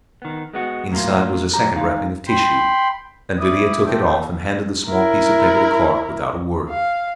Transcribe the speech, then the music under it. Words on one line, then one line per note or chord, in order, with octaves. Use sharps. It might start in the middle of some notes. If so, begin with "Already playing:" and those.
Inside was a second wrapping of tissue, and Villiers took it off and handed the small piece of paper to Clarke without a word.
D#3 B3
G#3 B3 F#4
A2 F#3 A#3 F4
F#2 A2 G4 A#5
G#3 D#4 F5
G5 B5 C6
E4 D5 D#6
A3 D4 A4 C5 E5 G5
E4 A#4
F5